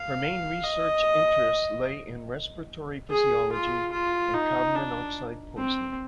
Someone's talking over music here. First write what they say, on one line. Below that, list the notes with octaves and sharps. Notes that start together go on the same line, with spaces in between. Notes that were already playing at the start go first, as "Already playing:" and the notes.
Her main research interests lay in respiratory physiology and carbon monoxide poisoning.
Already playing: F5
D#5
G#4
F4
F4
D#4
D4
C4